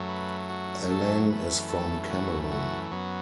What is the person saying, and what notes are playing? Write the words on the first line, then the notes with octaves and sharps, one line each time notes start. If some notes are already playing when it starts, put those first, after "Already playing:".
Alang is from Cameroon.
Already playing: F#2 F#3 A3
B4
F#4
A4
F#2 E3 A3 B4
A4
F#4
F#4
F#2 F#3 B3